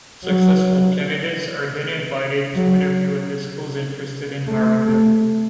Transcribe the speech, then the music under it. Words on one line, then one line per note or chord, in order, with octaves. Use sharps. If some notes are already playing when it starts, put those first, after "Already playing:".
Successful candidates are then invited to interview at the schools interested in hiring them.
F#3
F#3
A3
A3